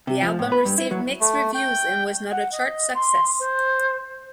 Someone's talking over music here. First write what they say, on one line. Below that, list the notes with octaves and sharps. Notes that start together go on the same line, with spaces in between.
The album received mixed reviews and was not a chart success.
C3
F3
A2
B4
G2
E4
F#3
A3
G5
F#5
D#5
C6
C5